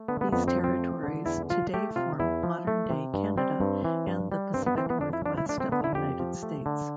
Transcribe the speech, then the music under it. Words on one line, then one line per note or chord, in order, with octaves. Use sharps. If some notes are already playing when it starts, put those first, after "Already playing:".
These territories today form modern-day Canada and the Pacific Northwest of the United States.
Already playing: A3
D3 B3
B3
F2 B3
C4
F3
C4
A3
D3
E2 E4
F3 F4
A3 G4
C3 F4
E2 E4
F3
A3
C3
G2
G3 C4
G2
E3
G2
G3
G2 C4
B3
E3 C4
B3
F2 D4
E4
F3 D4
E4
A3 D4
C4
D3 B3
E4
F2 G4
F3
A3
D3